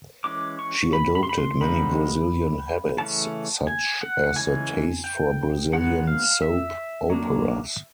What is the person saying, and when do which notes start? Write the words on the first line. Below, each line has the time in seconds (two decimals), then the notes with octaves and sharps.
She adopted many Brazilian habits, such as the taste for Brazilian soap operas.
0.24 E3 G#3 C#4 D6
0.59 C#6
0.93 B5
1.15 B5
1.23 C6
1.29 B5
1.38 C6
1.61 D3 F3 G#3 C4 D#4 B5
2.98 C#3 E3 A3 C#4 A5
3.67 G#5
4.01 F#5
4.36 E3 G#3 C#4 G#5
5.04 G5
5.73 D#3 G#3 B3 F#5
6.07 F5
6.42 E5
7.10 F#3 A#3 D4